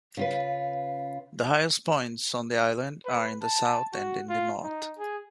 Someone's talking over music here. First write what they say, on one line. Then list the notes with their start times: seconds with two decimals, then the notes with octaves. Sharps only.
The highest points on the island are in the south and in the north.
0.17 C#3 F4 B4
3.05 B4
3.42 A5
3.93 F#4
4.29 F4
4.63 D#4
4.98 G#4